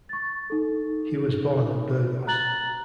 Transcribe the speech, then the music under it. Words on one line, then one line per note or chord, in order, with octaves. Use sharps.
He was born at Burgos.
C#6 A6
D#4 A4
A#5 F#6 A6 F#7